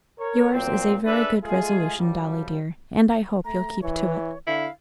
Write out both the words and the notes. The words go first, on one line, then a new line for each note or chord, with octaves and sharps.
"Yours is a very good resolution, Dolly dear, and I hope you'll keep to it."
A#4 C#5
A#2 F#3 C4
D4 G#4 A4 B4 E5
G#3 A3 F4 G#4
F#2 F3 G3
A3 A#5
E3 C#5
D3 E4 F5